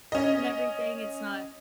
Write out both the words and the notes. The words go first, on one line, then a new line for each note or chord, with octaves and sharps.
and everything, it's not,
C#4 D#5